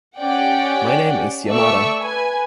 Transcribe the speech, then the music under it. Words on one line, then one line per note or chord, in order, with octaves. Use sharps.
My name is Yamada.
C#4 G4 D5 F#5 G5
A3 D5 C#6 E6
B4 G#5